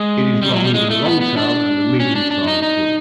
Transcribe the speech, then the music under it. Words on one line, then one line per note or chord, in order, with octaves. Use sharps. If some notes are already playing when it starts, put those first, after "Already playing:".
It is long, with a long tail and a medium-sized bill.
Already playing: G#3
G3
F#3
G3
G#3
A3
B3
B3
D4
C#4
D4
D4
D#4
D#4